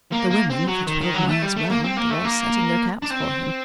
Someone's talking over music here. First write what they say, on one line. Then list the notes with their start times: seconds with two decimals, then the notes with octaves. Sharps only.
The women, for twelve miles round, are all setting their caps for him.
0.12 A#3
0.30 A#3
0.50 C4
0.67 F#3
0.87 D#3
1.01 D#3
1.14 F#3
1.29 A3
1.42 G3
1.56 A3
1.70 A#3
1.84 C4
1.97 A#3
2.10 A3
2.24 A#3
3.02 D4
3.10 C4